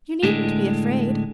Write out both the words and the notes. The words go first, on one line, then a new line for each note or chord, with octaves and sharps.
You needn't be afraid.
A2 D3 G#3